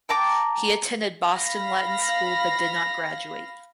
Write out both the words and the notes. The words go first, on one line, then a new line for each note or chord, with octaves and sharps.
He attended Boston Latin School but did not graduate.
G5 A5 A#5 D6
F5 B5 A#6